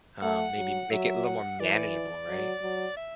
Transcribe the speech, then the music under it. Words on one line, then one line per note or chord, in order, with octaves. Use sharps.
um, maybe make it a little more manageable, right?
A3 F#5
F#3
F#3 E5
F#5
E3 D5
F#3
F#3
E5